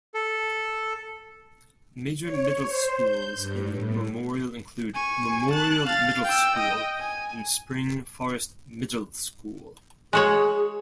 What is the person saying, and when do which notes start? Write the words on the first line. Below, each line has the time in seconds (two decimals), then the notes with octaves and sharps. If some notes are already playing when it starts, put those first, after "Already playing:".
Major middle schools in Memorial include Memorial Middle School and Spring Forest Middle School.
0.14 A4
2.22 C#5
2.66 C5
3.02 G6
3.35 G2
3.69 A2
4.95 G#5 C#6
5.51 A5 F#6
5.86 F5 A6
6.25 G5 E6
6.58 D#5 G5
7.00 G#5
10.13 G#3 F#4 G#4 C#5